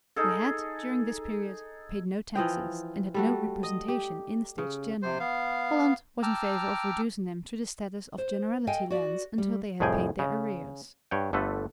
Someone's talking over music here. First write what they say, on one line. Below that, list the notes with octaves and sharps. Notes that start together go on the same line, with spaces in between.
They had, during this period, paid no taxes, and had no representation in the States-General. Holland was in favour of reducing them to the status of Generality-lands until they had paid their arrears.
D#4 G#4 A4
E3 F3 D#5 G5
G3 A3 F#4
D#5
G4
C#3
C3 C5
B3 F5
G5 A5 A#5 D6 E6 F6
C5
A4 D#5 F5 G5 G#5
F#4 D5
G3
C2 F2 A2 G#4 G5 G#5
C#3
G2 C#5 F#5 G5
G1 D3 A3 A4 B4